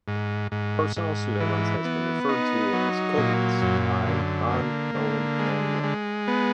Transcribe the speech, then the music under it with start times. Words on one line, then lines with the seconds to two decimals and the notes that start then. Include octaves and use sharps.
"Personal sousveillance" has been referred to as "coveillance" by Mann, Nolan and Wellman.
0.08 G#2
0.52 G#2
0.96 G#2
1.40 E3
1.85 B3
2.29 D#4
2.73 F#3
3.18 A#2
3.62 F#2
4.07 D3
4.51 A#3
4.95 D3
5.39 G#3
5.83 G#3
6.28 B3